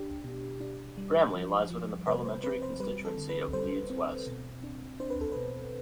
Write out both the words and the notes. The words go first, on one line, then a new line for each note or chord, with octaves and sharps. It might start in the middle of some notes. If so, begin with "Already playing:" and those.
Bramley lies within the Parliamentary constituency of Leeds West.
Already playing: D4 G4
B2
D4
G3
F3
F3
C3 B4
C5
C4 B4
C5
G3 B4
A4
D3
B4
G3 C5
C4
B2
D4
D4 C5
B4
A4
B2 B4